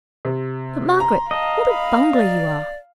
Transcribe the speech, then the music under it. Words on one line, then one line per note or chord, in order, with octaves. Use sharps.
But, Margaret, what a bungler you are!
C3
A#5 C6
D#5 F5 A5
B5
D5